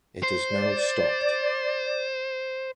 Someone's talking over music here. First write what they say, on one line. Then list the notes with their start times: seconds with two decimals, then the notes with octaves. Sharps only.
It has now stopped.
0.23 C5
0.51 D5